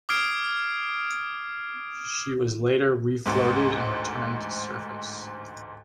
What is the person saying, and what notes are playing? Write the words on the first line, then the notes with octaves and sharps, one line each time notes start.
She was later refloated and returned to service.
D6 D#6 F6 G#6 C7 D7
A1 D2 G#2